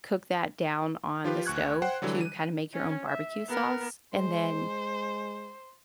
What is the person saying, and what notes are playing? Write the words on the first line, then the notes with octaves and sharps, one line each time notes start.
cook that down on the stove to kinda make your own barbecue sauce, and then
F3 F4 G4 B4
D2 C#6 F#6 G#6
C5 F#5 G5 C6
D3 E3 F#3 G3
D#7
C#4
E5
B3 A#4
G#3 C5